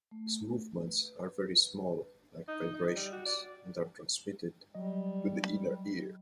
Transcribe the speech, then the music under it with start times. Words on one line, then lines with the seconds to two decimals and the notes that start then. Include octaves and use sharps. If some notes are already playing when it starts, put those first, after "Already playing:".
These movements are very small, like vibrations and are transmitted to the inner ear.
0.11 A3
0.83 B4
2.48 D#4
2.74 D#4
2.96 G3
3.13 F#4
3.26 D5
4.75 F#3 G3 D#5